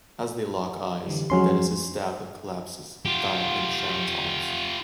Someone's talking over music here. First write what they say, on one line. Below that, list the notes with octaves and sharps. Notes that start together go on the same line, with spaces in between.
As they lock eyes, Dennis is stabbed and collapses, dying in Sharon's arms.
D3 E3 G3
F2 F3 F#3 G#3 C#4 C6
F4 G4